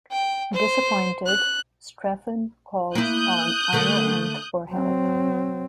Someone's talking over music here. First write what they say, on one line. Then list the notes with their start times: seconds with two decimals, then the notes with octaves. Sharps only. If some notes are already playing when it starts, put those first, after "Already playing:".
Disappointed, Strephon calls on Iolanthe for help.
0.12 G5
0.53 C5
1.26 F#6
2.95 A#3 E4 D#6 F#6 G6
3.73 D3 A3 A#3
4.71 F#3 C4